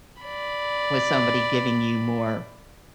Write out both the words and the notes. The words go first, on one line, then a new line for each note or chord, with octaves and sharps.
with somebody giving you more,
D5 B5